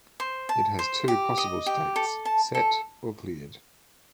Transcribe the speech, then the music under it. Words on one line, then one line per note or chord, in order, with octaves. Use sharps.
It has two possible states, "set" or "cleared".
C5
A5
C5
G4
D#5
G4
A4
A5
A4